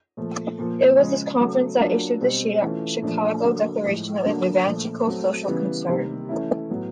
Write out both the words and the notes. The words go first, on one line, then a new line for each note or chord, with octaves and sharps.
It was this conference that issued the Chicago Declaration of Evangelical Social Concern.
A#2 F3 A3
A#2 F3 A#3
C#3 F3 G#3
C#3 F#3 A3
F#3 A#3 D4 F4
B2 G3 C4
E3 A3 C#4 F4
A#2 F3 A3 D4
D3 F#3 A#3
A2 F3 G#3
D3 F#3 A#3 D4
A#2 F3 A3
F#3 A3 C4
C#3 E3 G3 B3
C3 D#3 G3 A#3
E3 A3 C#4 E4
A2 F#3 B3